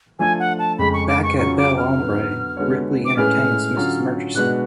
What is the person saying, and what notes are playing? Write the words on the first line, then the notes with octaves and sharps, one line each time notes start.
Back at Belle Ombre, Ripley entertains Mrs. Murchison.
F3 A3 D4 F4 A4 G#5
F#5
A5
F2 C#3 G#3 B5
C#6
D6
C#6
C#3 F#3 C#4 F4 C#6
D6
F6
D3 F#3 B3
D3 G#3 B3 F#4 C#5
D6
A2 G#3 C#4 G#4 B4 F6
D3 F#3 C#4 F4
B2 G#3 B3 D4 F#4 F#6